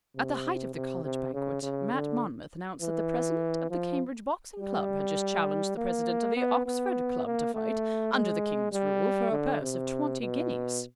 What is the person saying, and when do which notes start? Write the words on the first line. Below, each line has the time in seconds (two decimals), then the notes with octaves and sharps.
At the height of the college banquet Mat Monmouth announced that the president of the Cambridge Boxing Club had just challenged the president of the Oxford Club to fight, under the King's rule, for a purse of twenty guineas.
0.16 C3
0.75 C3
1.05 C3
1.34 C#3
1.63 C#3
1.93 D3
2.82 E3
3.70 F3
4.59 G3
5.77 A#3
6.37 B3
6.66 B3
7.26 A#3
7.54 A3
8.14 G#3
8.73 G3
9.32 D3
9.62 C3
10.21 B2